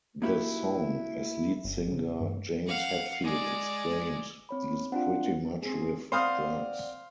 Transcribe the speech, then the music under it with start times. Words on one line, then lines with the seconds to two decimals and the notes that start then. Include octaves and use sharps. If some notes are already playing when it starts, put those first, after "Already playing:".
The song, as lead singer James Hetfield explained, deals pretty much with drugs.
0.22 A#3 D#4 E4 F#4 G4 B4
1.65 G1
1.92 C#3
2.20 G2
2.67 F5 F#5
3.24 G#3 D5
4.49 C4 C#5 B5
4.92 C4 D4 F4 F#5
5.62 C4 G#4
6.12 C4 C5 D5 F5 F#5 D#6